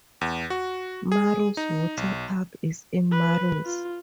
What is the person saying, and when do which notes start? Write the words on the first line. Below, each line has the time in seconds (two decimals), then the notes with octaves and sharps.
Maros Water Park is in Maros.
0.21 E2
0.50 F#4
1.12 G#4
1.57 D#4
1.97 B1
3.12 B4
3.66 F4